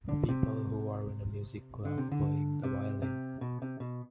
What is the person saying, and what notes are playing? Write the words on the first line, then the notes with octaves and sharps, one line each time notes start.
People who are in a music class playing the violin.
D3
C3
D3
C3
D3
C3
C3
B2
C3
B2